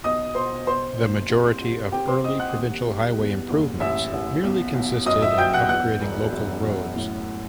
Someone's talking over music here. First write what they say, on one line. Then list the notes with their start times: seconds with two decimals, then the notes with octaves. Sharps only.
The majority of early provincial highway improvements merely consisted of upgrading local roads.
0.04 B1 D#5 D#6
0.35 B2 C5 C6
0.67 B2 C5 C6
0.98 F#1
1.29 C2
1.61 C2
1.92 C4 G4 G5
2.08 C5 C6
2.23 C2 D#5 D#6
2.40 F#5 F#6
2.56 D#2
2.86 G3
3.19 E2
3.50 F#1
3.80 A1 E5 E6
4.13 A1
4.44 B1
4.75 B1
5.06 F#2 D#5 D#6
5.22 E5 E6
5.37 F#3 G5 G6
5.53 F#5 F#6
5.69 E2 F#5 F#6
6.01 E1
6.32 F#2
6.63 F#2
6.95 A2